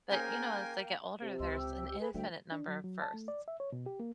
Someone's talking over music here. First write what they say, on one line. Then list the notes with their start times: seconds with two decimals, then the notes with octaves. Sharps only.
But, you know, as they get older, there's an infinite number of firsts.
0.11 A#3 C#4 G#4 A#4 C5 G5 G#5 G6
1.22 C3
1.39 C#2 D#5 C6 E6
1.56 G4 E6
2.00 G#4 A4 B4
2.14 D2 G3 E5 G5
2.52 D4
2.68 F#3
2.84 F#3
3.02 A5
3.14 A3
3.28 D5
3.48 E5
3.60 C#5
3.72 B2
3.86 G4
4.00 A#3